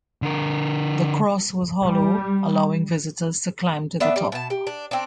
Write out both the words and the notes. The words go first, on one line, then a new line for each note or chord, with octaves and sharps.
The cross was hollow, allowing visitors to climb to the top.
D3 A#4
G3
B3 D4 E5
G3
B2 A5
G4
D4
C4 D4